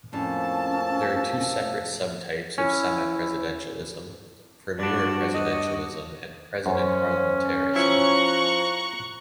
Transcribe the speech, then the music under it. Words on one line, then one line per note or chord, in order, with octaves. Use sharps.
There are two separate subtypes of semi-presidentialism: premier-presidentialism and president-parliamentarism.
F2 A2 F3 A#3 C#4 A4 A5
C#4 E4
G2 D4 F#4 D5
D#5
F#2 C#4 C5
F3 E4 A#5 C#6 F#6